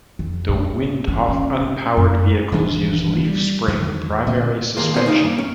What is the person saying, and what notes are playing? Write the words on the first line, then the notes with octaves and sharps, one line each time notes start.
The Windhoff unpowered vehicles use leaf spring primary suspension.
F2
A2
E3
C#4
G#2
F#2
D#1 D2 E3 D4
G3
E2 D3 D#3 F#3
A#2 D3
D#2 G#3 A#3 F4
B3 C#4 G4 C5
D2 D#4 C#5 F5
A#3
C#4